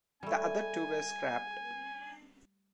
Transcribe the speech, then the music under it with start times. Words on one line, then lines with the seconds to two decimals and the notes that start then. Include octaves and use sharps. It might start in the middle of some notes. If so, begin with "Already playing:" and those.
The other two were scrapped.
0.23 G3 A3 G#5